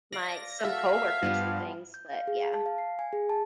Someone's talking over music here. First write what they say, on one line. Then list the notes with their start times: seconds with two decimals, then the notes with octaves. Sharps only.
my some coworkers and things, but yeah.
0.13 D5 F5 A#6
0.65 F#4 A4 E5 F5
1.23 G2 F3 G3 B3
1.94 G6
2.13 F5
2.27 G#4
2.54 A5
2.66 F5
2.78 C7
2.99 G#5
3.13 G#4
3.29 A5